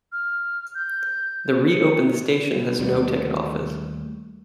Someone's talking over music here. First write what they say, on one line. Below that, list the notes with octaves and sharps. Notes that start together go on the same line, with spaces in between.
The reopened station has no ticket office.
F6
G6
C#7
D#2 G3 A3